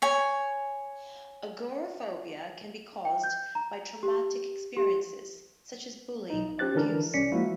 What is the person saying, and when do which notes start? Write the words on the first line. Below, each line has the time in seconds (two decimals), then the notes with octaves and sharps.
Agoraphobia can be caused by traumatic experiences, such as bullying or abuse.
0.02 C#5 G#5
3.05 G5
3.24 G6
3.55 A#5
4.03 G4
4.77 G4
6.30 B1 D#4
6.59 C#4 G4 C5 F#6 A6
6.75 D3 E3 D4 A#4
7.14 C2 C#4 D5 B6 C#7
7.32 F3 G#3 A#3 E4 F#4